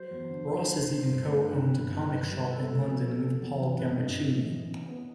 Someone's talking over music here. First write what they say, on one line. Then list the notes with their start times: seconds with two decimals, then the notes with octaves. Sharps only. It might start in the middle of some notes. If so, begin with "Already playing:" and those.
Ross has even co-owned a comic shop in London with Paul Gambaccini.
Already playing: F#3 C5
0.11 E2
0.29 D3
0.48 D3
0.66 D3
0.85 D3
1.03 G2
1.21 A3
1.35 A#4
1.40 G2 B4
1.58 D#3
1.76 G1
1.94 D#3
2.13 G1
2.31 G3
2.49 C#3 A4
2.68 A3
2.86 F3
3.04 C#3
3.24 C#3
3.42 E2
3.60 E3
3.78 G#1 B4
3.97 G2 D#5
4.15 G#1
4.33 E3
4.51 E3
4.70 C#3
4.88 B3